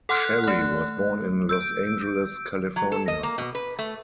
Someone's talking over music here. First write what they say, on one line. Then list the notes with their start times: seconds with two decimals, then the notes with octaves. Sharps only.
Sherry was born in Los Angeles, California.
0.09 A4 F#5 C6 F6 F#6
0.44 A3 F#6
1.49 E6 G6 D7
2.76 F#3
2.92 A4
3.08 D#5
3.23 A#3
3.38 B2
3.55 B4
3.79 A3